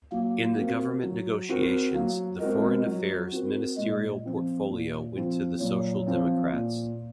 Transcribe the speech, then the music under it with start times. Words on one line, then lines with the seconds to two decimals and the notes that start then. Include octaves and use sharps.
In the government negotiations the Foreign Affairs ministerial portfolio went to the Social Democrats.
0.12 F#3 A#3
0.57 C4 F#4 A#4
1.03 F#3
1.49 C4 F#4 A#4
1.95 F#3 A#3
2.40 G#3 C4 F#4 A#4
2.86 F#3
3.32 C4 F#4 A#4
3.78 A#2 G#3
4.24 F3 C4 F4
4.69 A#2
5.15 F3 C4 F4
5.60 A#2 F#3
6.06 F3 C4 F4
6.52 A#2